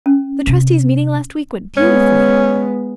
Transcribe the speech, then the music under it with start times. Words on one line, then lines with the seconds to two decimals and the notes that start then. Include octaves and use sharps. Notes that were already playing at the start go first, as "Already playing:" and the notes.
The trustees' meeting last week went beautifully.
0.06 C#4
0.47 C3
1.77 G#3 B3 C#4